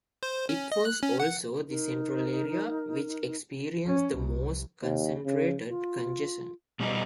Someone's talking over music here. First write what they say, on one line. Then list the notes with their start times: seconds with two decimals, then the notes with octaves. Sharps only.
It was also the central area which experienced the most concentrated congestion.
0.23 C5
0.49 C#4
0.72 D#5
0.85 F#6
1.03 C#4
1.20 F#5
1.69 D#4 A#4
3.87 C#4
4.18 C2
4.83 D#2
5.26 C#3
5.68 F4
6.80 B2 G3 D#4